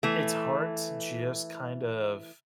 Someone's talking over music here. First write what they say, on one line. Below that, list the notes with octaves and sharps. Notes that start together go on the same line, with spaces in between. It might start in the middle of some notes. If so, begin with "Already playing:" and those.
it's hard to just kind of
E3 A3